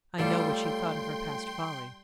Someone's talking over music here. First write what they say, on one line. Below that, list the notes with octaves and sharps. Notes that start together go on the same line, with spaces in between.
I know what she thought of her past folly.
A2 G3 F4 A4 G5 C6